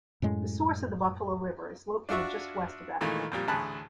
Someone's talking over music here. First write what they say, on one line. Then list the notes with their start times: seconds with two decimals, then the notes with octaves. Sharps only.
The source of the Buffalo River is located just west of Ethridge.
0.22 F#2 A2 G#3
2.09 D4 F4 F#4 E5 C#6
3.01 A#2 D#3 E3 G#3 A3 D#4
3.32 F2 A#2 G3
3.48 A1 D2 G#4 A5 B5 F#6